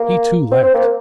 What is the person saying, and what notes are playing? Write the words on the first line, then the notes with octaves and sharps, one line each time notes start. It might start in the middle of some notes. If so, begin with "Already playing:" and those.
He, too, laughed.
Already playing: A#3
C4
C4
A#3